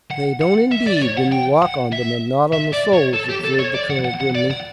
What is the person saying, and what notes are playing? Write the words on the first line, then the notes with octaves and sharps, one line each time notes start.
"They don't, indeed, when you walk on them and not on the soles," observed the colonel grimly.
F#5
F#5
E5
D5
C#5
F#5
G5
F#5
E5
E5
D5
C#5
A4
G4
A4
C#5
D5
F#5
F#5
F#5
D5
F#5